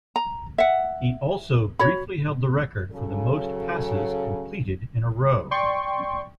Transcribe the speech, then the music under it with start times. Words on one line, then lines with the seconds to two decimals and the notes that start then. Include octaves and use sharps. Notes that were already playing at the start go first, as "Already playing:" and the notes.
He also briefly held the record for the most passes completed in a row.
0.16 A#5
0.58 E5 F#5
1.79 F#4 C#5 B5
2.91 C#3 F#3 A4
5.51 D5 G5 C6 C#6